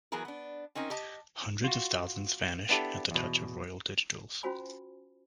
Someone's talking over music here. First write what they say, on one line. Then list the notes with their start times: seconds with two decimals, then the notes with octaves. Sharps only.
Hundreds of thousands vanish at the touch of royal digitals.
0.12 E3 F#3 B3 G#4 A#4
0.25 B3 D4
0.75 C4 C#4 D#4 A#4
0.90 G4 D#5 A5
1.64 F4 F#4
2.69 B3 D4 E4 G4 A4
3.11 E2 B2
4.43 C#4 F4 F#4 C5 G#5 B5